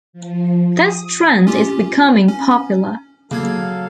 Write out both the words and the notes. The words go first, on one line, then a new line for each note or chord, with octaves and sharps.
This trend is becoming popular.
F3
D#6
C#4 F4 G4
C#4
C#3 F#3 A#3 A4 F5 G#6